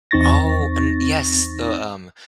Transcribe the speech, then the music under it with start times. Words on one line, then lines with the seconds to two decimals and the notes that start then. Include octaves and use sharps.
Oh, and yes. The, um,
0.11 E2 C4 D#4 C#6 A6 A#6